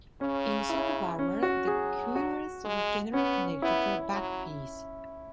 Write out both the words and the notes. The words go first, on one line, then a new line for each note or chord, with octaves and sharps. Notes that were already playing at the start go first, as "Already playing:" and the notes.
In a suit of armour, the cuirass was generally connected to a back piece.
C#3 C#4
E4
C#4
F#4
F#3 G#4
F#4
G#3
B3 C#4
B3 E4
F#3